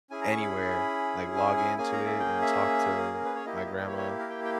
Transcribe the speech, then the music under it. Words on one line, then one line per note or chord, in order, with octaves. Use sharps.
anywhere, like, log into it and talk to my grandma
C#4 E4 G#4 G#5
A#5
C#6
B5
G#5
G#5
A#3 C#4 G#4 G#5
A#5
E5
G5
E5
A#4
B4
C#5
A#3 E4 G4 D#5
E5
D#5
D#5
C#5
C#5
A#4
G5
G5